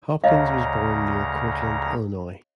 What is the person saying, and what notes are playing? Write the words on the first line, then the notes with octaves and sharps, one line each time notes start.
Hopkins was born near Cortland, Illinois.
D2 C#3 C#5 D#5 F5 A#5